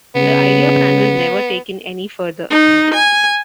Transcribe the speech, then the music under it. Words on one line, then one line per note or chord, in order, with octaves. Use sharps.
The idea plan was never taken any further.
C#3 B3
D#4
G#5